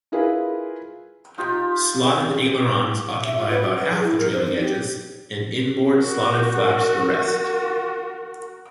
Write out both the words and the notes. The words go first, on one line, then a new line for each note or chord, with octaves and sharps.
Slotted ailerons occupy about half the trailing edges and inboard slotted flaps the rest.
E4 F4 G#4 A#4 B4 F5
D#4 F4 G4
E5
F4
B4
F#4
B4
G#4
E4
A#4
C5
D#4
G4
F#4 A#4